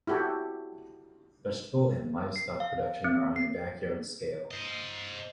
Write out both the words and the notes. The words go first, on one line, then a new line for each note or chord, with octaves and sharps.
Vegetable and livestock production are on a backyard scale.
E4 F#4 G4 A4
C7
F5
C4
C7
C5 D#5